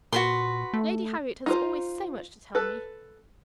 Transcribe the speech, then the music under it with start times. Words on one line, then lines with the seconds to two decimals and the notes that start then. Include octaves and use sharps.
Lady Harriet has always so much to tell me.
0.13 A#2 F#4 B4 C6
0.74 A3
1.46 D#4 F4 C5
2.55 A4 B4